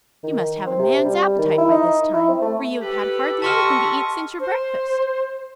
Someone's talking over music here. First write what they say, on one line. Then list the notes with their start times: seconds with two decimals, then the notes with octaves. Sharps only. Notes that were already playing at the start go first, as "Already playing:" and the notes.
"You must have a man's appetite by this time, for you have had hardly anything to eat since your breakfast."
0.23 D#3
0.67 C4
0.79 C3
1.05 G3
1.39 D#3
1.58 E4
1.71 D#4
2.14 E4
2.28 C4
2.42 A3
2.81 G4 A4 B4
3.42 D#5 A5 C6 C#6 F6
4.40 C5